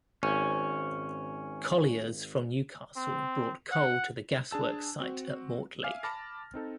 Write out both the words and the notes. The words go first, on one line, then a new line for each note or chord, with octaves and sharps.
Colliers from Newcastle brought coal to the gasworks site at Mortlake.
G#1 C#4
C4
F#5
D4 G#4 A5 E6
C4 F#4
E5 F5 G#5 D6 F6
A5 B5 D6 F6 A6 A#6
C4 D#4 A4